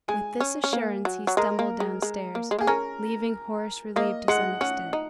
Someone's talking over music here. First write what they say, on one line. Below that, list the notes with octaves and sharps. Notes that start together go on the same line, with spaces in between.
With this assurance he stumbled downstairs, leaving Horace relieved to some extent.
G#3 G#5
C#4
C#4
A#3
F#3
F#3
G#3 A#4
A#3
G#3
G#3
A#3
G#3
A#3 G#4
C#4 A#4
A#3 D#5
G#3 F#5
C#4 F#5
D#4